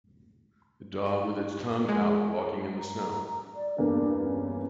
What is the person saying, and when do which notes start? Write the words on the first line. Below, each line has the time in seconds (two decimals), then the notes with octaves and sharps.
A dog with its tongue out walking in the snow.
1.88 G#3
2.79 A#5
3.55 D5
3.78 E2 G2 A#3 D4
4.23 C#4